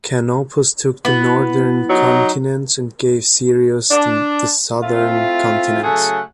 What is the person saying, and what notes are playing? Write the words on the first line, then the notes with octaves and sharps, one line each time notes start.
Canopus took the northern continents and gave Sirius the southern continents.
B3 E4
F#3 D#4
D4
A3 C4 E4 F4
C#3 F#3 A3 G#4 A4 F#5